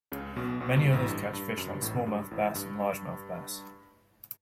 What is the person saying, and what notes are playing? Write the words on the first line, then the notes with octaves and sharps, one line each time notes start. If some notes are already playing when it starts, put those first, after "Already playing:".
Many others catch fish like smallmouth bass and largemouth bass.
C#2 C#3
B1 B2
B1 B2
G2
A1 A2
G2
G2
F#2
G2
A1 A2
F#2
G2
A1 A2
G2
G2